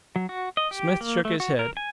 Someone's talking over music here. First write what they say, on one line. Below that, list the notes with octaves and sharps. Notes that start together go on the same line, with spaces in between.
Smith shook his head.
F#3
F#4
D#5
G4
A#3
A3
F#4
A#4
G#5